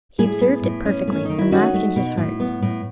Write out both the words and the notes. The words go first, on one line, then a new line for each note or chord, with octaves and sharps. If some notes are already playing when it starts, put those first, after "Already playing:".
He observed it perfectly, and laughed in his heart.
A2 E4 G#4
B3
A2
C#4
A3 C#4
D#3 D#4
E4
C#4 D#4 F#4
A3
B2
A2
B3
A2